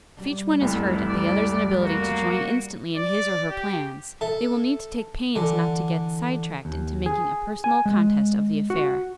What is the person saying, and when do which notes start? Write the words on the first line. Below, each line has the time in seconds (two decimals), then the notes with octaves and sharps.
If each one is hurt at the other's inability to join instantly in his, or her, plans, they will need to take pains not to get sidetracked into making a personal contest of the affair.
0.17 G3
0.61 F1 C2 E4
1.09 D5
1.83 A#3 F#4
2.96 D5
3.50 G4
4.21 A4 E5
5.36 D3 E3
6.65 D#2
7.06 G#4
7.64 G#5
7.86 G#3
8.70 F#4